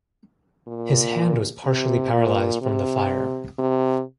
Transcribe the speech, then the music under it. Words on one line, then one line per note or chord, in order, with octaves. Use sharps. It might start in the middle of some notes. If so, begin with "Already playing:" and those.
His hand was partially paralyzed from the fire.
A#2
C3
A#2
C3
C3